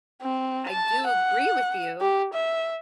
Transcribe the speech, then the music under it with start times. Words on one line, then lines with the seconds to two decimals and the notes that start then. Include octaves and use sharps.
I do agree with you
0.22 C4
0.69 A5
1.07 F#5
2.01 G4
2.33 E5